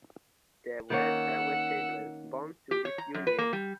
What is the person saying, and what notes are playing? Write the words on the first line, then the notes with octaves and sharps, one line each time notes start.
There were several children born to this union.
D#3 A#3 C#4 F#5 E6
G4
C#5
A#5
F#2
B4
A#3
G3